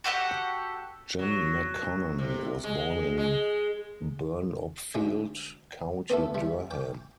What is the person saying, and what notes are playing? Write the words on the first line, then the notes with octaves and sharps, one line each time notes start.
Jim McConnon was born in Burnopfield, County Durham.
F#4 G4 A4 F#5
F#3
C3
G#3
G#3
D2 D3 G#3
B3 D4 E4 A4
G3 E4
G5 D6